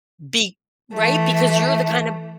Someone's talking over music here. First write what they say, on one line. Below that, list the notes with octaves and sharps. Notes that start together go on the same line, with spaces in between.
be Right? Because you're the kind of
E3 A3